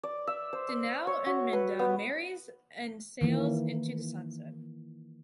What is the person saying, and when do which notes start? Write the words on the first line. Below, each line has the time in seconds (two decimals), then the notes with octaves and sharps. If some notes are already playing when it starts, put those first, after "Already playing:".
Danao and Minda marries and sails into the sunset.
0.03 D5
0.27 E5
0.53 C5
0.69 D5
1.07 C#5
1.26 F#4
1.53 B4
1.79 B3
3.21 D#3 E3 A#3